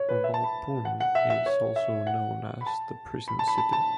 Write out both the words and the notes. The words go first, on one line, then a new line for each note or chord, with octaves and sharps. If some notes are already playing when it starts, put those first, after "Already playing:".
Waupun is also known as The Prison City.
Already playing: C#5
B4
E5
A5
B5
F#5
F#5
E5
E5
C#5
E5
F#5
B5
A5
B5
A5
B5
A5
A5